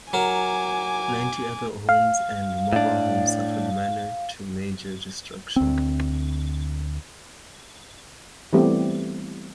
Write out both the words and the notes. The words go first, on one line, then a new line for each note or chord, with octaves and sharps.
Ninety other homes and mobile homes suffered minor to major destruction.
F#3 A#4 G#5 D6
F5
A2 D4
D2 C4
E3 G3 A3 B3 C4 G4